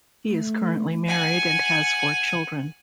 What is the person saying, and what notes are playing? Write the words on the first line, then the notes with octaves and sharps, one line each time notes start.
He is currently married and has four children.
A3
F#5 G#5